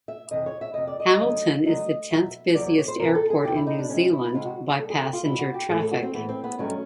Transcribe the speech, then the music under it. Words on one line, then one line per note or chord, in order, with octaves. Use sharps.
Hamilton is the tenth-busiest airport in New Zealand by passenger traffic.
E5
F2 C3 E3 D#5
C#5
E5
F2 C3 E3 D#5
D5
D#5
F#2 D3 F#3 A3
F#2 D3 F#3 A3 D#5
E2 B2 F#3 E5
E2 B2 F#3 D5
C#5
C#5
C5
E2 C3 F3 A#4
A4
G#4
E2 C3 F3 G4
E4
D#4
D4
C3 F3 G#3 C#4
E4
C3 F3 G#3 F4
F#4
G#4
B2 G3 A4
G#4
G4
F4
B2 G3 E4
F#4
G4
A2 E3 A3 G#4
A4
F#4
C4
A2 E3 A3 B3
C4
B3
G2 D#3 F#3 A3 C#4